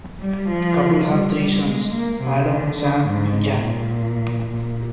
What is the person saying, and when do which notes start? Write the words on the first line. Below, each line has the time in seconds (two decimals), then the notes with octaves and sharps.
The couple have three sons: Adam, Sam and Jack.
0.20 G3
0.49 F3
1.07 G3
1.35 G3
1.64 G#3
1.93 A#3
2.21 C3
2.50 D3
2.79 D3
3.08 G#2
3.65 A#2
4.51 A#2